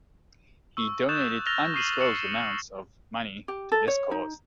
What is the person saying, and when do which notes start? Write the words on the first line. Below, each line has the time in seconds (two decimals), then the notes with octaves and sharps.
He donated undisclosed amounts of money to this cause.
0.77 C#6 E6
1.09 C#6 D#6 F#6 G6 A6 E7
1.46 E6 F6 A6 A#6 F7 G7
1.74 C#6 D#6 C7 D#7 E7 F#7
1.99 C#6 F6 A6 C#7 E7 F#7
2.16 C7 E7
3.48 G4
3.72 A4
3.88 C#5
4.11 D#4